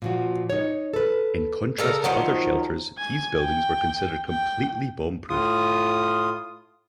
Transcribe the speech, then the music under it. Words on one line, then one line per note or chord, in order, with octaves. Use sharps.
In contrast to other shelters, these buildings were considered completely bomb-proof.
A#2 F3 F#4
D#4 C#5
A4 B4
C#3 A4 A#4
D#3 F3 F#3 F#5
G#5
G5
G5
A2 F4 D#6